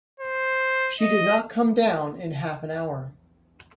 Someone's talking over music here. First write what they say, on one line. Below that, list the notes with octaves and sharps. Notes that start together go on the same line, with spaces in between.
She did not come down in half an hour.
C5
D#5